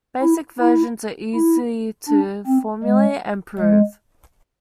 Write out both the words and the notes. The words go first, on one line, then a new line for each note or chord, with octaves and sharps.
Basic versions are easy to formulate and prove.
E4
E4
E4
D4
C4
G#3
G#3